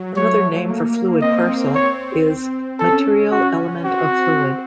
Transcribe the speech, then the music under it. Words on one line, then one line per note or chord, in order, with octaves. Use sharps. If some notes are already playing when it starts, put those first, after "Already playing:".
Another name for fluid parcel is material element of fluid.
Already playing: F#3
A3 C#5
A#3
C4 D#5
C#5
C#4 A4
C#4 F#4
C4 F#4